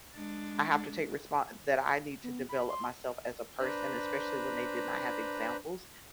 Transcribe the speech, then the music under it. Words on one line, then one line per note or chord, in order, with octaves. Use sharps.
"I have to take respon that I need to develop myself as a person," especially when they did not have examples
G#3 D4
B3
B5
C6
D4 B4 C5 A#5 B5